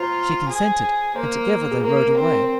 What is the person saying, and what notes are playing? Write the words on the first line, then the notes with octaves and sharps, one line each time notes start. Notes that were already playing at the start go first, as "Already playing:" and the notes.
She consented, and together they rode away.
Already playing: F4 C5 A#5
G#4
A#3 C5
G#4
A#3 A#4
A#4
C4
A#4
C5